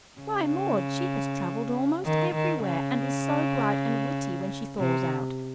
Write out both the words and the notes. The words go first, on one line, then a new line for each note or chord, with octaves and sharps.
Why, Maude, she has travelled almost everywhere--and is so bright and witty when she thaws out.
C#3
D#3
D#3
C#3
C3